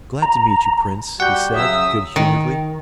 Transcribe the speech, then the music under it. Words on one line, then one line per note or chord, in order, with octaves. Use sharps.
"Glad to meet you, Prince," he said, good humouredly.
A#5
G3 F#4 G4 F#5 G6
C#3 F#3 E5 D#6 E6
D#3